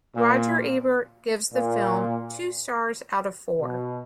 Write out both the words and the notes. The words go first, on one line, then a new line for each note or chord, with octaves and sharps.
Roger Ebert gives the film two stars out of four.
A#2
A#2
B2